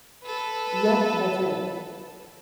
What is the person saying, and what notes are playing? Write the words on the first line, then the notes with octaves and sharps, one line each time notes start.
Yep, that's right.
A4 B4